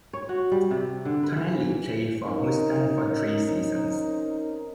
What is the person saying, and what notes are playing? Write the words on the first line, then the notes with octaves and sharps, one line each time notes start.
Tonelli played for Houston for three seasons.
C#5
F#4
G3
C3
D3
B4
E3
C4 C#4 D#4 A#4